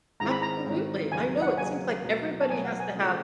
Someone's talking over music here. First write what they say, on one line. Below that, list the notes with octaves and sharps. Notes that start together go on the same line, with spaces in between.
Absolutely. I know, it seems like everybody has to have,
G#2 D#3 G#3 C4 E4 A#5
B5
A#5
G#2 D#3 G#3 C4 E4
D#2 C#3 F#3 G#5
F#5
D#2 C#3 F#3 G#5
B2 F#3 B3
A5
B2 F#3 B3 G#5
F#5
G#5
C#3 F3 A3